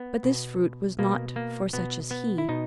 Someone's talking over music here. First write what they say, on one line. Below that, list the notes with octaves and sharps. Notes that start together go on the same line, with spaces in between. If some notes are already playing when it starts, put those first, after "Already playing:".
But this fruit was not for such as he.
Already playing: B3
B2
B2 A#3
A#3
B2 B3
B3
E4
B2 D#4